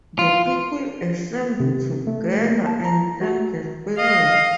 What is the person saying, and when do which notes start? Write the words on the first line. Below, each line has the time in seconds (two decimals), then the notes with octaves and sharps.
The people assemble together and thank the spirit.
0.19 F4
1.60 C3
2.07 A3
2.49 A#3
2.67 A5
2.85 A#5
3.21 F#4
3.99 D#5 F5